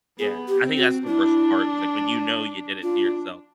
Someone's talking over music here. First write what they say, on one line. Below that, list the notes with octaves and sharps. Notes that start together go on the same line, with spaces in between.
Yeah, I think that's the worst part, was like, when you know you did it to yourself.
B3 G#4
G4
C4
F#4
D4 E4
D4 F4